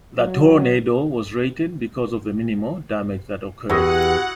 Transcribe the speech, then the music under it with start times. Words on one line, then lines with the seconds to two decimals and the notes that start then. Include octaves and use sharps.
The tornado was rated because of the minimal damage that occurred.
0.17 F#3
3.70 E2 E4 F#4 G4 D#5 F#5